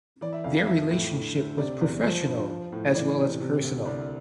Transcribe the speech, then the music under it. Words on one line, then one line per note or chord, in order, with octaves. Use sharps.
Their relationship was professional as well as personal.
E3 D5
E5
F2 F5
F5
F3 E5
A2
D3
D2
C3 D5
E2
F3 C5
G2
F3
A2
E3 D5
C3
C3
D2
C2 D5